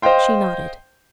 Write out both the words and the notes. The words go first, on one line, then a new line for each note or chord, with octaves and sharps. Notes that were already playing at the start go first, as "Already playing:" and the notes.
She nodded.
C5 D#5 F5 G5 C6